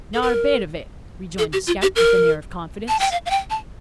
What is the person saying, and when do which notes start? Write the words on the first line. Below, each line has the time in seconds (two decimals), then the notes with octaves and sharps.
"Not a bit of it," rejoined the scout, with an air of confidence.
0.14 A4
0.22 A#4
1.38 A4
1.53 G4
1.67 F4
1.82 G4
1.96 A#4
2.88 A5
3.00 G5
3.12 F5
3.26 F5
3.31 G5
3.50 A5